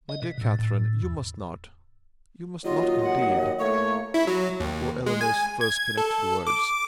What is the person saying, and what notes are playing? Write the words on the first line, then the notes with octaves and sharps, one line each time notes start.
"My dear Catherine, you must not--you must not indeed--" were Eleanor's first connected words.
D#5
B2
A2
A2
E2
D#2 F#3 F4 D#5
F#5
A2 A3 A#3 C#5 C#6
E4
F#3
D#2
G#3
G#5
G#6
A4
D6